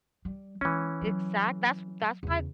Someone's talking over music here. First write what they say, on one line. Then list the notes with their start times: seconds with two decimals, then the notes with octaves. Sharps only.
Exact That's that's why
0.25 G3
0.61 E3 G#3 C#4
1.02 F#3
2.23 E2 C#3